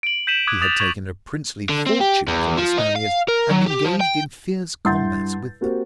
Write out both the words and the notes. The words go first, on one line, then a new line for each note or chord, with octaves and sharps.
He had taken a princely fortune from the Spaniards and engaged in fierce combats with them.
D7 F#7
G6 B6 D#7 E7 F#7
D6 D#6 F#6 G#6 D7
D6 D#6 A6 F7
C#6 G#6 B6 F#7
D3
C4
G4
E2
F3
D#4
F5
A#4
F#3
G4
F3
G5
G2 E4 F#5 C6 G6 A6
A#3 C4 F#4 G4